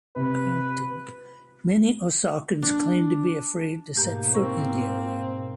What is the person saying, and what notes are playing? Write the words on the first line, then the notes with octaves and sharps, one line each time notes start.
Many Osakans claim to be afraid to set foot in the area.
C3 B4
D4
G#2 B2 A3 A#3 G4 A#5
C4 E4 A#4 C#6